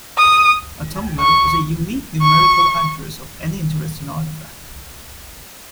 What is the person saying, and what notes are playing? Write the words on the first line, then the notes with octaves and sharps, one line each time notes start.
A tumbler is a unique numerical address of any interesting artifact.
D#6
C#6
C#6